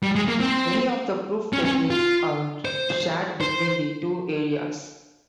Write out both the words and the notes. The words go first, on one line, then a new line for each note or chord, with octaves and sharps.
Many of the proof techniques are shared between the two areas.
G3
G#3
A#3
C4
C#4
C#4
F4
C5
C5